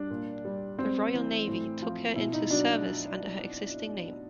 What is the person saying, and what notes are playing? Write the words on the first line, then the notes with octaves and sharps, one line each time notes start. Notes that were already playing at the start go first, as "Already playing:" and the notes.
The Royal Navy took her into service under her existing name.
Already playing: G3 D4
A#2
G3
G3 C4
E3
A2
F3
B2 E4
D#4
F#3 D4